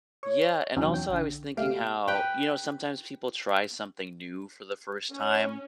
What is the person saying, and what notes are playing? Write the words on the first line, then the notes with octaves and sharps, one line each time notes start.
yeah, and also I was thinking how you know, sometimes people try something new for the first time,
C#5
E2 C3 E3 F#3 C#4 D#4
G5
A#1 D3
G1 B2 A3 G4 F5 D7
G4 B4 G5
C#4